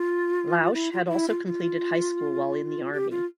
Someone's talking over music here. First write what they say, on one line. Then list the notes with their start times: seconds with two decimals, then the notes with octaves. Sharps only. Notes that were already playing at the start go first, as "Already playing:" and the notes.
Lausche had also completed high school while in the Army.
Already playing: F4
0.74 E4
0.92 F4
1.06 F4
1.10 E4
1.28 F4
1.46 F4
2.93 G4
3.11 F4